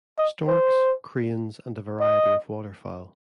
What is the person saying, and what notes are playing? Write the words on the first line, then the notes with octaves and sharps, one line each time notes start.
Storks, cranes and a variety of waterfowl.
D#5
C5
D#5